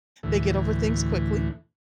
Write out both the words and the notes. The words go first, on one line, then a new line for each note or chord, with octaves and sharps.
they get over things quickly,
D2 A2 E3